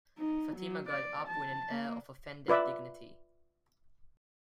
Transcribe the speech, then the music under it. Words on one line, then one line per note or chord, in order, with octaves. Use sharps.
Fatima got up with an air of offended dignity.
D#4
F#3
D5
A5
A#3
F4 B4 D5 E5